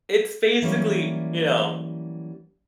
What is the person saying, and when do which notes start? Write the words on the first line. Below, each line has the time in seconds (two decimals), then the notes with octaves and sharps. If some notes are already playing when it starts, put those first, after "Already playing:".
it's basically, you know
0.62 E3 F#3 G3 A#3 C#4